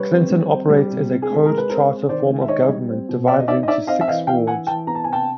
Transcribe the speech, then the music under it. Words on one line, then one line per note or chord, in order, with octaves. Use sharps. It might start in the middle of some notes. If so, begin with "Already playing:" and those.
Clinton operates as a Code Charter form of government, divided into six Wards.
Already playing: G3 B4 C#5
C4
G3
C4
G3
C3
C3
G#4
G#3 A4
G#3 A#4
B4
C4 A#4 C5
C4
D#3 C5 D5
G#3
E5
D#4 C#5 D#5
G3
C4
B2
C4 D5 E5
D#5
D#4 D5 E5
D#5
D#4 D5 E5
C4 D#5 F5
E5
E3 D#5 F5
E3 F5 G5
E3 F#5 G#5
E3 G5 A5
B3 A#5
A5
C3 G#5
G5 A5